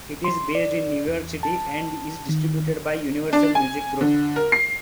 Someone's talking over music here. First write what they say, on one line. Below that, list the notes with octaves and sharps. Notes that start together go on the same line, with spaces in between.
It is based in New York City and is distributed by Universal Music Group.
C6
D5
E2
A5
D#3
D4
G#5
D3
A#4
C7